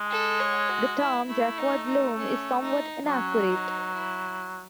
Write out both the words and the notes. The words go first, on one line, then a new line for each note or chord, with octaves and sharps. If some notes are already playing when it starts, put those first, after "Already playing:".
The term "Jacquard loom" is somewhat inaccurate.
Already playing: G#3
A4
C#5
F#4
E4
A3 E4
D#4
D#4
C#4
D#4
F#3 C#4
D#4
E4